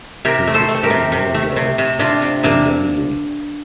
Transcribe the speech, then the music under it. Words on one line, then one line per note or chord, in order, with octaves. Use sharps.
He is the current manager of Tombense.
C3 G4 A#4
A3
A4 C5
A3
G4 A#4
C3
C3
A3
C3
C3
C3 D4 F4
C3
C3 A#3 D4